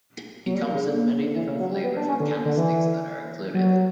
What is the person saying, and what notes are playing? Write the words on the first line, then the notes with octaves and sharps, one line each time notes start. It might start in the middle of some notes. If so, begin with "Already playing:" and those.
It comes in many different flavors with candy sticks that are included.
F#3
G3
A#3
C#3
D3
C#3
D3
E3
C#3
F#3
G3
B3
D4
C#4
D3
D3
E3
F#3